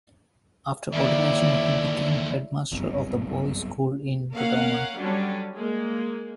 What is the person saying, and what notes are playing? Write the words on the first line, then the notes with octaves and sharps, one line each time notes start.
After ordination he became headmaster of the Boys School in Dodoma.
D#2 D3 E4 D5 E5
F#1 B1 G2 C3
A#3 C#4 A#4 F5 F#5
D3 F#3 G3 C#4 D4
G#3 A#3